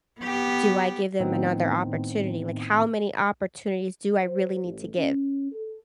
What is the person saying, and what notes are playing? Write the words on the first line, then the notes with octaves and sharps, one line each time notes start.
do I give them another opportunity? Like, how many opportunities do I really need to give,
B3 G4
A2 D#3 B3 C4 D#4
C5
A1
C#4
A4